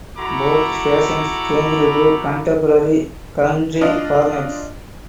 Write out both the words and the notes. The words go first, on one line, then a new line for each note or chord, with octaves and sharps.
Both stations changed to contemporary country formats.
E4 F#4 A4 A#5 B5 D6
D4 F4 D#5